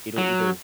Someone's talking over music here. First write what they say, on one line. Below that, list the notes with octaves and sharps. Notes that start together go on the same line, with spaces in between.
it'll either
F#3